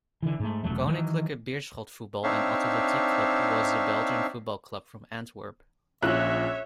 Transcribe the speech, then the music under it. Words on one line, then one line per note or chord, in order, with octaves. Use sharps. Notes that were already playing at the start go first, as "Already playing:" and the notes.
Koninklijke Beerschot Voetbal en Atletiek Club was a Belgian football club from Antwerp.
D3 E3
G#2 A3
E1 A#1 F#3 A3
D#3 E3 F#3
C4 D4 D#4 C#5 E5 F5
A#1 C#4 F4 C#5 E5 E6 F#6